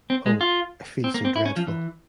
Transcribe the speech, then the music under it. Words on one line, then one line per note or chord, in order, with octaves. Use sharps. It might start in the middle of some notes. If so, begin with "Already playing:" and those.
Oh, I feel so dreadful!
C4
G#3
F4
C4
A#3
C4
E4
C#4
F3
E3